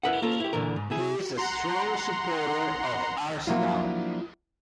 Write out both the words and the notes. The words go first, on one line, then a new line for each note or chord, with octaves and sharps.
He is a strong supporter of Arsenal.
E4 A#4 B4 E5 F#5
A#3 C#4 F4 A4
E4 G4
A#2 D3 E3 A#4
G#2
C3 E4 G#4
F#5 A#5 C6
F3 F#3 A#3 D4 E4 F4